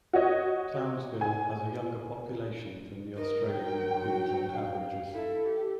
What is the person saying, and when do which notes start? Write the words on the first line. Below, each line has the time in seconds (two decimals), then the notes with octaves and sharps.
Townsville has a younger population than the Australian and Queensland averages.
0.13 F#4 C#5 D#5
1.21 G#5
3.17 A#4 D#5
3.50 F#3 G5
4.00 F#4
4.54 F5
5.13 E4 A4
5.45 G4